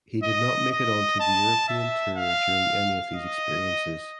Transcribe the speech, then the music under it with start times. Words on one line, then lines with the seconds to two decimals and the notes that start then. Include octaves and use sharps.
He did not make it onto the European Tour during any of these experiences.
0.23 D#5
0.72 D#5
1.20 A5
1.69 E5
2.18 F5
3.14 D#5